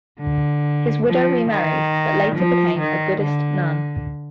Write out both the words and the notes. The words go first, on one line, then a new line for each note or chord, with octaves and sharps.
His widow remarried but later became a Buddhist nun.
D3
F3
D#3
F3
D#3
D3